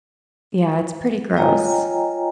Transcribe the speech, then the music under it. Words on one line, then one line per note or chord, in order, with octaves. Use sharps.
Yeah, it's pretty gross.
F4 C#5 D#5 G5 G#5 A#5